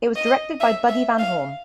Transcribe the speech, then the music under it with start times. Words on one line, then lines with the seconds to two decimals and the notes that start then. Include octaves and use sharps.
It was directed by Buddy Van Horn.
0.16 D#5
0.60 E5
0.89 E5
1.18 F5